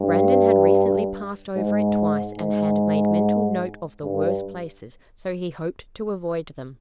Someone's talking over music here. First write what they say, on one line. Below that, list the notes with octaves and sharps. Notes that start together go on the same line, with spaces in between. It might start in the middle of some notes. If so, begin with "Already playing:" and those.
Brandon had recently passed over it twice, and had made mental note of the worst places, so he hoped to avoid them.
Already playing: G2
G#2
G#2
G2